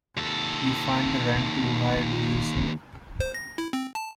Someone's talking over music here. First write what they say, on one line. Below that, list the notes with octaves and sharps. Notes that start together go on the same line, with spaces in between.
You find the rent too high, do you, sir?
D#2 A4
C5
A#6
E4
C4
A5